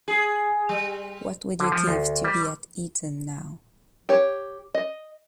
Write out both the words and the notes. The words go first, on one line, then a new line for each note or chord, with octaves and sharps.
What would you give to be at Eton now?
G#4
G3
D3
F3
D2
G3
G4 C#5
D#5